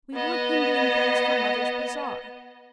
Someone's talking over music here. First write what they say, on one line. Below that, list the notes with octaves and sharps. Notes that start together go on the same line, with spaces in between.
'We want Indian things for mother's bazaar.
B3 D#5